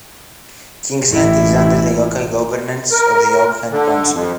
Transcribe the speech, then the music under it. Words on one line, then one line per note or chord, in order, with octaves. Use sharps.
Kingsland is under the local governance of the Auckland Council.
A1 E4
A#4
D3
F2